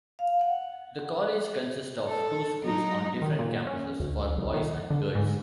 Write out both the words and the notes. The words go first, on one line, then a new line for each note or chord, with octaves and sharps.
The college consists of two schools on different campuses for boys and girls.
F5
F#5
A4
F#3 D#4
D#3
A#2
C#4
D2
C2
D#3
D3
G#2